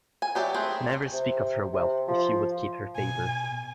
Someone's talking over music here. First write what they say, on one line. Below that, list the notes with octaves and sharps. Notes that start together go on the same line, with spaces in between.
Never speak of her wealth, if you would keep her favour.
G#5
F#3 G4 D5 E5
A3 C4 G#4 B4
C3
C3
F3
B2 G#5